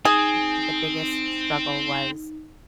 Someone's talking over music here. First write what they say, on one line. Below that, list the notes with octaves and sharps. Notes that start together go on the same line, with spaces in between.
m the biggest struggle was
C4 D#4 G#4